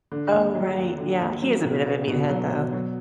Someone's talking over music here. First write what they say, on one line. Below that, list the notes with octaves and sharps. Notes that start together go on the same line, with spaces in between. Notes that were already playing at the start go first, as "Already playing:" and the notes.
Oh, right yeah, he is a bit of a meathead, though.
D3
D#2
F#3
D#2
D3
D#2
F#3
B2
B3
B2
F#3
B2
F#3